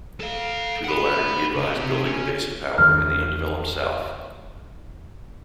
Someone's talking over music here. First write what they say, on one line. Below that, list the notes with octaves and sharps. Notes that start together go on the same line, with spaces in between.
To the latter, he advised building a base of power in the undeveloped south.
A4 F5
F#5 B5
C#3
C4 G4
C#4
E2 D#3 D4 F6